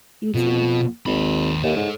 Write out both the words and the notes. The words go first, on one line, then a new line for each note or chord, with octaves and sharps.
You, too.
F2 B2
G#1 D#2 B5
D#2 A4 C#5
G#2